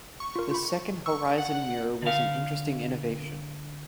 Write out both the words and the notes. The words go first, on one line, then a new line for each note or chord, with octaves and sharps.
The second horizon mirror was an interesting innovation.
C#6
F4 A#4
F4 B5
C#6 E6
F#5
D3 F5